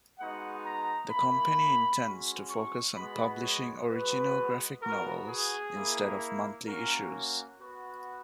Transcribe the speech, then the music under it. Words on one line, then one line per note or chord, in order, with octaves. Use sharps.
The company intends to focus on publishing original graphic novels instead of monthly issues.
G#3 B3 D#4 F#4 F#5
A#5
A#3 E4 B5
G#3 C#4 F#4
C#6
G#3 B3 F#4 B5
C#5
G#3 B3 F#4 B4
B3 F#4 A#4
G#4
A#3 E4
A#3 C#4 F#4 A#4
B3 F#4